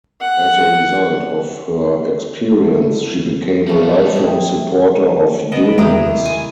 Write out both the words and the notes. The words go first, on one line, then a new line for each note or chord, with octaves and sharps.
As a result of her experience, she became a lifelong supporter of unions.
F#5
G3 G#3 D4 E4 F#4 A4
A#2 G3 A3 B3 F4 C#5
C4 D#4 E4 G#4
D3 E3 F#3 B3 D#5
E2 C#3 E3 D4 E4 G5 A#5 D#6
D#2 C3 D#3
G#5